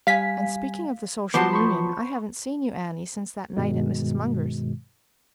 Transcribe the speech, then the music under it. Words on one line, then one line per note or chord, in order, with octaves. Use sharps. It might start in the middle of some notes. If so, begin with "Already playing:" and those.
And speaking of the Social Union, I haven't seen you, Annie, since that night at Mrs. Munger's.
G3 F5 G#5 B6
F3 F#3 B3 F#4 C5 A5 C6 D6
B5 C#6
G2 B2 D#3 G#3